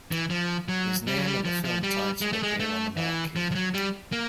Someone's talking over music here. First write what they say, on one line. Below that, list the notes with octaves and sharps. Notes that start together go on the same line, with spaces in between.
His name and the film title appear on the marquee.
E3
F3
F#3
G3
F#3
G3
F3
F3
G3
G#3
A3
G#3
A3
E3
F3
F3
F#3
G3
A#3